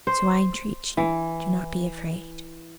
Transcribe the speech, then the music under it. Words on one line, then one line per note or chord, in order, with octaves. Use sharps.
So I entreat you do not be afraid.
C5
E3